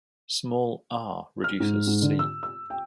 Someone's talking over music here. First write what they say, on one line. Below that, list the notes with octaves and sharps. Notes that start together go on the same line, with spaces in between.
Small "R" reduces "C".
F6
G#2
G#2
D3
E6
E6
G5